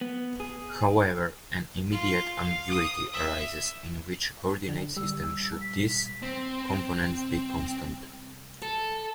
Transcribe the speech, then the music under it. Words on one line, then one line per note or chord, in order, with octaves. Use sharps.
However, an immediate ambiguity arises: in "which" coordinate system should these components be constant?
B3
G#4
F4
F5
D#6
E5
D3
G3 E6
B6
C4
A4